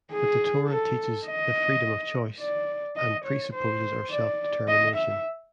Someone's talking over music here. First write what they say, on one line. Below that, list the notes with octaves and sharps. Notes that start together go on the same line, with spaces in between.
But the Torah teaches the freedom of choice and presupposes our self-determination.
G#4
A4
D#5
D5
D#5
C#5
C5
D5
D#5
E5